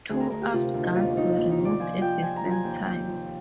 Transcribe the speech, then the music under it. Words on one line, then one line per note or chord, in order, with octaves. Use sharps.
Two aft guns were removed at the same time.
D2 G#4
A#4
D2 A#4
G4
C3 F4
D2
D#4
D#2 F4
D#2 D#4
D#2
D#4
D#3
D5
F3 G#5
F3 G5
F3 G#5
A#5
F3
G#5
D#2 G5
D#2 G5
F3